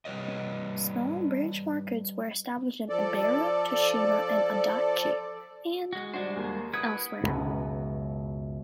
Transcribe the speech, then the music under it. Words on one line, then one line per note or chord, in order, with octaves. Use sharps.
Smaller branch markets were established in Ebara, Toshima, and Adachi, and elsewhere.
G3 B4 C#5 D#5
F3 A4 D5
G#3 F#4
G3 G#3 D4 F#4 C5
D#2 A#3
E4 B4 F#5 D#6 G#6
C#2 F#2 B2